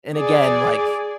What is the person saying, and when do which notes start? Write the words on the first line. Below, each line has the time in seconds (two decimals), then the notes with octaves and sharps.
and again, like,
0.16 G#4 D5